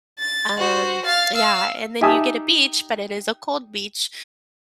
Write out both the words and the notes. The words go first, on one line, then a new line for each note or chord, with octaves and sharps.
um, yeah. And then you get a beach, but it is a cold beach,
A6
F#4 C5
F5 A6
F5 E6
D#4 G4 E5 G#5 A5 D#6